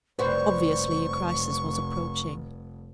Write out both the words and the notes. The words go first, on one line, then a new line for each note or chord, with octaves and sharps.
Obviously, a crisis was approaching.
F1 G3 F#4 B4 C5 C#6